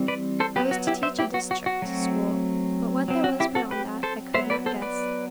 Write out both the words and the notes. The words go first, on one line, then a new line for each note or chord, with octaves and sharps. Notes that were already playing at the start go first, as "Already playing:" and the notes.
I was to teach a district school; but what there was beyond that, I could not guess.
Already playing: E3 G3 C4
B4 D5
A4 C5
F#3 B3 G4 B4
F#4
E4 G4
C5 E5
E4 G4
F#4
F#4
F#4
F#3 A3 C4
F#3 C4
F#4
E4 G4
F#4 A4
G4 B4
A4 C5
F#3 B3 C5 E5
B4 D5
A4 C5
B4 D5